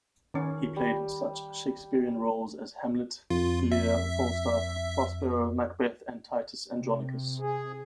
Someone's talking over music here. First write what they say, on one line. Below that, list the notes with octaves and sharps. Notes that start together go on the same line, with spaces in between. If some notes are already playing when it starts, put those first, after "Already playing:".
He played such Shakespearean roles as Hamlet, Lear, Falstaff, Prospero, Macbeth and Titus Andronicus.
D#3 C#4
G3
F2 F4
E5
C3
G#4